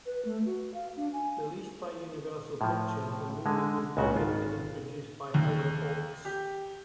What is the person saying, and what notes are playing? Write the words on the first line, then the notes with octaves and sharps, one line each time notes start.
Released by Universal Pictures, the movie was directed and produced by Howard Hawks.
B4
A3
F#4
F5
D4
G#5
A2 F3
D3 G#3
C#2 A#2 C#3 F#4 F#5
G#1 F4
D#2
G4